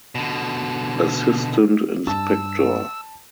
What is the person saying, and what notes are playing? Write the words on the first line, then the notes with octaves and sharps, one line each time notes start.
Assistant Inspector.
B2 D3
G2 A5 E6